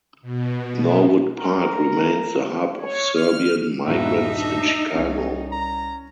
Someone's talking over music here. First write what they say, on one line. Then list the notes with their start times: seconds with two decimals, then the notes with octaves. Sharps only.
Norwood Park remains the hub of Serbian migrants in Chicago.
0.22 B2
1.39 A#4
2.79 C#5
3.14 F6
3.87 D#1 G2 A#3 D#4 F#4 E5
4.36 D4
4.94 C2 C#4
5.52 A#5